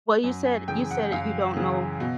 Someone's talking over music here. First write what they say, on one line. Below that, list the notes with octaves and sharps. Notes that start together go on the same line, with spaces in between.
Well, you said you said you don't know
F#2
G#5
C#3 E3 G5
F#5
F#2 F5
C#3 E3
B2